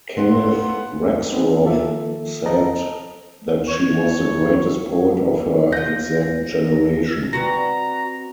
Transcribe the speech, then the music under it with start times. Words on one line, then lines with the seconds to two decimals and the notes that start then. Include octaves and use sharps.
Kenneth Rexroth said that she was the greatest poet of her "exact generation".
0.17 A#3 B3 F#5 C6
1.31 B3 C4 D4 D#4
1.63 D#3 F3 A#3 F4 A4 E5
2.46 D#5 A5 A#5
3.68 C#5
5.72 F3 F4 G6 A#6
7.33 C4 F#4 B4 D5 A#5 A#6